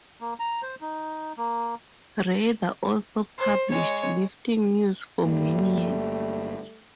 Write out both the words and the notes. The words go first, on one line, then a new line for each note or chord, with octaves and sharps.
Rader also published "Lifting News" for many years.
A#3
A#5
C5
D#4
A#3
C5
G#3 C#5
G1 G3 A3 A#3